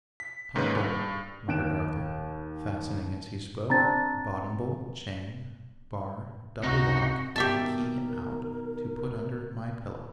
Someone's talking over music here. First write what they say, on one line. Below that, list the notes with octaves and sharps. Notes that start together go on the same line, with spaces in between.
'Top bolt,' muttered Arthur, fastening as he spoke, 'bottom bolt, chain, bar, double lock, and key out to put under my pillow!
B6
G#2 D#3 A#3 C#4 G#4 B4
G2
D#2 F#6 D7 E7
C4 D4 A#5 A6
C#2 C3 C4 D#4 F#4
B2 D#3 G4 A#4 E5 A5